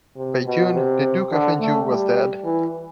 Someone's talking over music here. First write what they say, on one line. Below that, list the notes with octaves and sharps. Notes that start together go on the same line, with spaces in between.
By June, the Duke of Anjou was dead.
C3
B2
C3
D3
A3
G3
E3